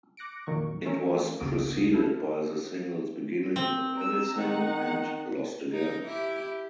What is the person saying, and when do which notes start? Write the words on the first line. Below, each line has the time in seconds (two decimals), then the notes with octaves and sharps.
It was preceded by the singles "Beginning of Anything" and "Lost Again".
0.17 D6 F#6 A#6 C#7 D7
0.46 F2 A#2 D#3 F#3 C#6
0.85 E3 A3 C#4 A#4
1.40 G#1 C#2 A#3 F#4 D#6 D7
1.93 E4 A4 F6
3.56 C4
3.96 A#5 E6
4.36 D#3 D#4 F#5
5.71 D#4
6.05 E4 G4